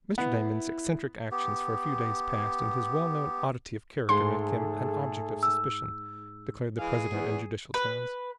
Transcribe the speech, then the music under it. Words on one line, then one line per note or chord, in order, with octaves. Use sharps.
"Mr. Damon's eccentric actions for a few days past, and his well-known oddity of character make him an object of suspicion," declared the president in judicial tones.
B3 E4
B3 G4
G#2 A3 G#4 A4 C6
E6
E3 G#3 G#4 F5
E2
B4